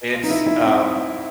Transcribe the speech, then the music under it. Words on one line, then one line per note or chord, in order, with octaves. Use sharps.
it's, um
F4
D#4
E4
E4
C4